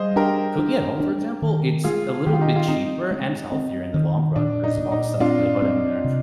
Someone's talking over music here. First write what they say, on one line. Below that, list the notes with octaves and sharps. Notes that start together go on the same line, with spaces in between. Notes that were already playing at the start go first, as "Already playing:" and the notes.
c cooking at home, for example, it's a little bit cheaper and is healthier in the long run 'cause of all the stuff that they put in there,
Already playing: G3 G#4 C5 D#5 F5
D4 G4 A#4
D4
D4
D#3
G#3 F4 G#4
D#3 G4
F4
D#4 G4
F4
C4 D#4
G#3
C4
D#3
A#2 D4
D#4
A#2
D#4
C4 D4 F4
C4
C3